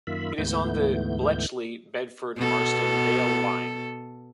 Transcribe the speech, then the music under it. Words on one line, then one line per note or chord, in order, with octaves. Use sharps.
It is on the Bletchley - Bedford Marston Vale Line.
F#2 D#3 A#3 F4 E5 B5
D2 G#2 E3 A3 B3 G6
B2 B3 A4